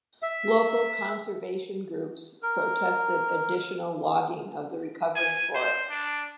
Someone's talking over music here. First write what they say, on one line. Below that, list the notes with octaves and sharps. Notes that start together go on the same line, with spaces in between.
Local conservation groups protested additional logging of the recovering forest.
E5
A#4
G#5
C5
D4